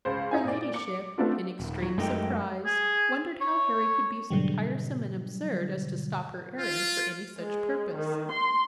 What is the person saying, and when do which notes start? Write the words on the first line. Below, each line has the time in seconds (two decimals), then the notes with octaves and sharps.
Her Ladyship, in extreme surprise, wondered how Harry could be so tiresome and absurd as to stop her airing for any such purpose.
0.05 C#2 C5
0.31 D#4 E4 G#5
0.44 A#2 D5
0.74 D6 C#7
1.18 A3 B3 C4 D4 F4
1.60 D#1
1.82 F#3
1.98 F#2 G#3 A3 D#4 G4
2.66 G#4
3.41 C#5
4.30 G#2 B2 D3 F#3 G3
6.58 F4
7.37 G#3
7.93 D#3
8.31 C6